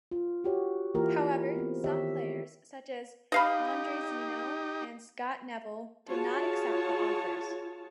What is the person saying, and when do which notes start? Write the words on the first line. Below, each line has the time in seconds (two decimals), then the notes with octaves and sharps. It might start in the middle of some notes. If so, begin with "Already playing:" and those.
However some players, such as Andrezinho and Scott Neville, did not accept the offers.
0.11 F4
0.44 F#4 G4 C#5
0.95 E3 A#3 E4 F4 G4 A#4
1.17 E4
1.56 B3 C4
1.84 D#3 G4 C#5 E5
3.32 D#4 G4 D#5 F5 B5
6.08 F4 F#4 G#4 C#5 A5